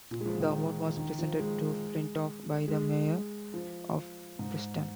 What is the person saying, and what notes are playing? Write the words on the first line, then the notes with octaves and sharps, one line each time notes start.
The award was presented to Flintoff by the Mayor of Preston.
A#2
G#3
F3
D#3
D#3
F3
G#3
G#3
F3
G#2